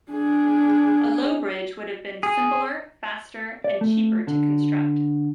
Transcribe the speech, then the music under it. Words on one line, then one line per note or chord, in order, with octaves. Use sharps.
A low bridge would have been simpler, faster, and cheaper to construct.
D4 G#4
G#4
D5
A3
D3